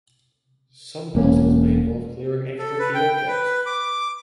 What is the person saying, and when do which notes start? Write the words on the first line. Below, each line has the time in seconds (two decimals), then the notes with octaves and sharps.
Some puzzles may involve clearing extra key objects.
1.15 E1 A#3 C#4
2.59 A4
2.79 B4
2.94 G5
3.13 G5
3.27 B4
3.66 D6